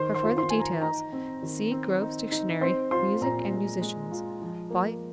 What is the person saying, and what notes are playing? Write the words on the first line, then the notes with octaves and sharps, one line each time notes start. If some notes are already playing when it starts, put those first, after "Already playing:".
For further details see Grove's Dictionary of Music and Musicians, Vol.
Already playing: D#3 C5 C6
C5 C6
F4
C5 C6
F4 G#5
A#5
D#4 A#5
C4
D#3
C4
D#4
D#4
C4 C5 C6
F4 C5 C6
A#2 A#5
G#3
G#3
F4
F3
A#3